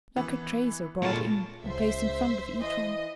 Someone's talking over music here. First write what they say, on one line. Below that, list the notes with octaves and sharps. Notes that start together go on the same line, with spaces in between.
Lacquered trays were brought in and placed in front of each one.
E3 B3
A#2 G#3 F4 A4 A5 C#6
C#2 C5 E5
E3 D#5